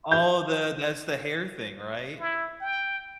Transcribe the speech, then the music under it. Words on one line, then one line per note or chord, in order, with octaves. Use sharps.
Oh, the that's the hair thing, right?
G6
E4
G5